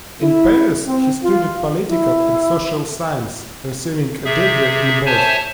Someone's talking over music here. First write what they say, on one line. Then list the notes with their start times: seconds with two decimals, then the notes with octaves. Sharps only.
In Paris he studied political and social science, receiving a degree in both.
0.22 E4
0.86 C4
1.23 F4
1.88 E4
4.25 C3 G#4 E5
5.06 C5 C#5 E5 G#5 A5